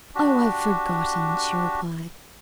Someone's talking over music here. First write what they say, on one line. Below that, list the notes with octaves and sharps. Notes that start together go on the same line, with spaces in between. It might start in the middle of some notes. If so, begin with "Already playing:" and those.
"Oh, I've forgotten..." she replied.
D4 F#4 G4